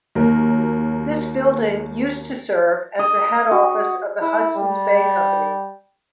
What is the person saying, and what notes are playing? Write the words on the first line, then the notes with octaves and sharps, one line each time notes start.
This building used to serve as the head office of the Hudson's Bay Company.
D#2 F#3 A#4
D#5
F#4
E4
G3